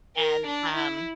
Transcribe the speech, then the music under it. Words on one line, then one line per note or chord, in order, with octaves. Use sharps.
And, um,
A#4
D4
E4